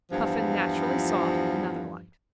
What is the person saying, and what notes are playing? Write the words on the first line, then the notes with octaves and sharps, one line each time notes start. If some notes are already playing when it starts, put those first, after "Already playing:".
Puffin naturally saw it in another light.
E2 G2 F3